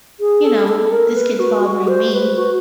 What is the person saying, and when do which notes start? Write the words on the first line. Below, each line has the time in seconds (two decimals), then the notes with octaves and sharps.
you know, this kid's bothering me."
0.20 G#4
0.44 A4
0.68 A4
0.92 A#4
1.16 B4
1.39 F#4
1.64 F#4
1.88 C5
2.13 B4
2.36 F#4